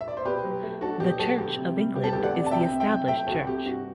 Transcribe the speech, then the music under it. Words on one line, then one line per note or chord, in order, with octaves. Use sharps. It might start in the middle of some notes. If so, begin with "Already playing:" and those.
The Church of England is the established church.
E5
D5
C5
B2 G4 B4
F#3
A3
D4 F#4 A4
B2 G4
F#3 F#4 A4
D2 G4
C3
G3
B3 G4
A4
D2 G4
D5 F#5
C3
A5
C2 E5 G5
C3
E5 G5
F#3
A3 E5 G5
C2 F#4 A4
C3 G4
G2 F#4